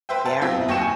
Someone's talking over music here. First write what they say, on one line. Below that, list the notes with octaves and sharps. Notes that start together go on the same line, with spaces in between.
They are.
B4 C5 E5 G5
A5
F#3 C4 F4 G4 E5
F2 B2
D#2 F#3 G5 C#6 C#7 E7
G#5